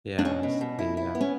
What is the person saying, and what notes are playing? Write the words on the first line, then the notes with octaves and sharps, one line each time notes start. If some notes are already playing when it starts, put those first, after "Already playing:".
Yes, the, uh
D4
B2 C#4
B2
B2
E4
E4
B3
C#4